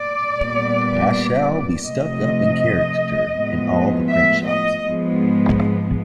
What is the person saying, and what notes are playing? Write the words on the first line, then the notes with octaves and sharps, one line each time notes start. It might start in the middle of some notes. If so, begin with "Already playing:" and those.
I shall be stuck up in caricatura in all the print-shops.
Already playing: D5
A#2 G3 B3
C3 F3 A3 D#5
A2 F3 G#3 B3
E5
D#5
G#2 F3 G#3 B3